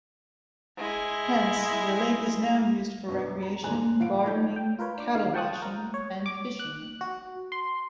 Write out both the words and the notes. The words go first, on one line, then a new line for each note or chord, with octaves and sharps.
Hence, the lake is now used for recreation, gardening, cattle washing and fishing.
G#3 E4
F#2 B2 B3 D4
A#5
D#1 G#2 D3 G#5 A#5 F#6
D3
A2 F3 F5 F#5 D7
D#4 A4 C#5 G6
G5
F4 A#4 B4 C#5
D4 D6
D3 D#3 G#3 D#4 F5
F#5 G5 A5 C#6 D#6 F#6
A#4
C#5
D6
F#6
F#4
C6